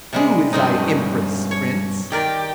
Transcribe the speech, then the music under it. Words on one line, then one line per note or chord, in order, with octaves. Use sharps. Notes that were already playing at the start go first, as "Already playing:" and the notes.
Who is thy Empress, Prince?
C3 G3 G#3
G2 B2 C4 C#4 D#4
C#5
D#3 G4 A#4 D5